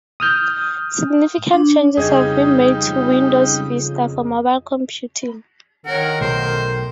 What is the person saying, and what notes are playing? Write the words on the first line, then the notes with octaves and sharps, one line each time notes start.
Significant changes have been made to Windows Vista for mobile computing.
D#6 F6 G6
D4
F2 C#3 G3 D#4 G#4 D#5 G#6
D#3 A#4 C#5 F#5
B1 A3 A#4 C5